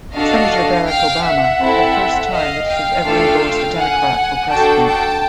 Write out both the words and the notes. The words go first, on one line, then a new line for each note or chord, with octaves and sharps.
Senator Barack Obama-the first time that it had ever endorsed a Democrat for president.
D4 F#4 A4 D#5 F5
F5 G5
E5 F#5
C4 E4 A4
D#5 F5
F5 G5
A3 D4 F4 A4
F#5 G#5
D4 F#4 A4 G5 A5
G5 A5